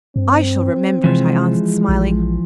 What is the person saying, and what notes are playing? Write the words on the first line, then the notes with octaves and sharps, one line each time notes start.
'I shall remember it,' I answered, smiling.
G2 C4
C3 E3 F3 G#3
A#1